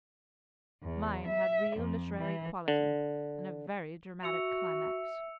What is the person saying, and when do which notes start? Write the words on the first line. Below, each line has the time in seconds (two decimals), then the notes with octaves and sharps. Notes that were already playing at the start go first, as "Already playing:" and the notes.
"Mine had real literary quality, and a very dramatic climax."
0.83 E2
1.27 E5
1.76 F2
2.18 E3
2.68 D3
4.23 F#4 E5 E6 C#7 F7